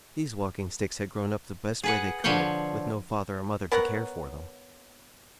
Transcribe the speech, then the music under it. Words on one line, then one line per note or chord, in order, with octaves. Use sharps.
These Walking-Sticks had grown up the best way they could, with no father or mother to care for them.
G#4 B4 F#5
D3 F3 B4 C#5 F5 G5
B3 A#4 C#5 F#5